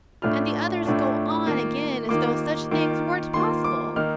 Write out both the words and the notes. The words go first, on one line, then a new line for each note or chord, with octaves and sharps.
And the others go on again as though such things weren't possible.
A2 A3 D4 F4 F6
A2 A3 D4 F4
D#3 A#3 F4
D#3 A#3 F4 D6
D#3 A#3 F4
D#3 A#3 F4 C6
D6
D#3 A#3 D#4 F6